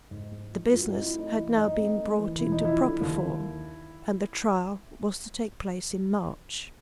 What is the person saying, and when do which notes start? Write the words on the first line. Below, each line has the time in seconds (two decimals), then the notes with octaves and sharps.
The business had now been brought into proper form, and the trial was to take place in March.
0.11 G#2
0.32 G#3
0.53 F3
0.73 G2 F4
0.82 F#4
0.90 D#4 F4
0.94 C4
1.01 E4
1.15 A3 D#4
1.29 E4
1.36 E3
1.55 G2 D#4
1.76 C4
1.97 A3
2.18 E3
2.39 E1 E4
2.52 D#4
2.60 F3
2.65 E4
2.80 D3
3.01 D#2